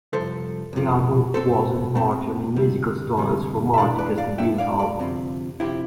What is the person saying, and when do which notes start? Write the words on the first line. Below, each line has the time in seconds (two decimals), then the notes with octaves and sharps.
The album was a departure in musical styles from Martika's debut album.
0.13 C2 C3 F3 A4 C5
0.73 C2 C3 F3
1.34 B2 A3 C4 A4 C5
1.95 B2 A3 C4
2.56 D2 C3 G3
3.17 D2 C3 G3
3.74 E5
3.78 B1 A2 E3 A3 D4 D5 F5
3.98 B4 D5
4.18 D5 F5
4.38 B1 A2 E3 A3 D4 E5 G5
4.58 D5 F5
4.79 D5 F5
4.99 D2 C3 F3 C4
5.60 C3 F3 C4 E4 G4